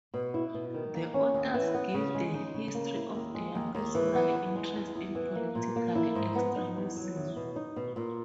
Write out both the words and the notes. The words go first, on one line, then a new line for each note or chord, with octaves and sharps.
The authors give the history of their personal interest in political extremism.
B2
E4
B2
D#3
A#3
C#4
D#2
E3
B3
C#3
G#3
D#4
C#3
A#3
E4
D#2
G#3
D#2
D#2
E3
B3
E2
G#3
E2
E2
E3
A#3
A#2
A#3
E4
G#2
B3
D#4
E2
F#3
E2
B2
D#4
B2
A#2